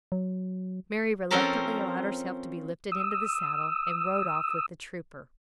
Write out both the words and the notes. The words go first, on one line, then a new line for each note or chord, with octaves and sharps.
Mary reluctantly allowed herself to be lifted into the saddle, and rode off with the trooper.
F#3
F3 C4 C#4 A4 A#4 A5
D#6 E6